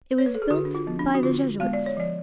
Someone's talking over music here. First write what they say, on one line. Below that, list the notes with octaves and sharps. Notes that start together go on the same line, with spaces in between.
It was built by the Jesuits.
C#5
B4
A4
G#4
D3 F#4
D4
F4
F3 B3
D4
F#4
D3 F4
G#3 B3 F5
D5
C#5
F3 D5